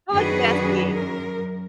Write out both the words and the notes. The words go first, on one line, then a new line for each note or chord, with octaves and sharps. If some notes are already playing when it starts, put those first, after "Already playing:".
So, like, messy
F#2 D#3 D4 F#4 G#4 B4
F#2 A#4